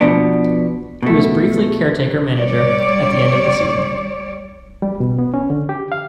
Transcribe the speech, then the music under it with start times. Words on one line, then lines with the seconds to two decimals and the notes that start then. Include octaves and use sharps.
He was briefly caretaker manager at the end of the season.
0.01 B2 F3 B3 D4
1.03 B2 A3
2.36 G3 C#5 D5
4.82 G3
5.00 B2
5.19 B3
5.34 C#4
5.50 D3
5.69 G4
5.92 F5